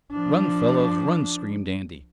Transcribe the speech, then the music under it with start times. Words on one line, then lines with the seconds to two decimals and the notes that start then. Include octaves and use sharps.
"Run fellows, run!" screamed Andy.
0.12 F3 D4